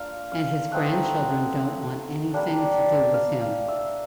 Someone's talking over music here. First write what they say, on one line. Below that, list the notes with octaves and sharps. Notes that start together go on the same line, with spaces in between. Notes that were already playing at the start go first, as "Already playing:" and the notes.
And his grandchildren don't want anything to do with him.
Already playing: A#3 D4 F4 F5
F5
A3 C4 D#4 F#5
G3 A#3 D4
F5
F5
E5